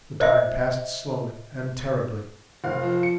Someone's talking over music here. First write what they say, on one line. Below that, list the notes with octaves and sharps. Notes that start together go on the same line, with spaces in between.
The time passed slowly and terribly.
C5 D#5 E5
F1 F5
F3
C#7